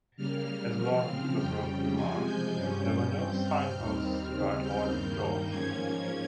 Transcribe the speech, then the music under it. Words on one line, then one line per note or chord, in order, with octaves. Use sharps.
As Lord Beaverbrook remarked, There were no signposts to guide Lloyd George.
C#3 G3 A#3 F6
C#3 F3 C4 F6
F2 C#3 G3 G5
G5
C3 F3 G#3 G#5
G6
G2 G3 C#4
G2 G3 C4
F6
D#2 D#3 G3 C4
F6
D#2 C#3 G3 C4
G6
G2 D#3 G3 A#3
G#2 F3 A#3 C#4 G#6